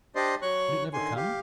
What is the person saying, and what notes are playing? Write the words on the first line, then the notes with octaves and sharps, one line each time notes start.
Would it never come!
D4 G4 C5 D5 D#5 C6
F#3 C#5 C#6 F#6
D3 D#3 G#5 C6
G4 F5